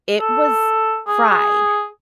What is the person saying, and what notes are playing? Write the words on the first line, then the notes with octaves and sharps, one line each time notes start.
it was fried.
A4
G#4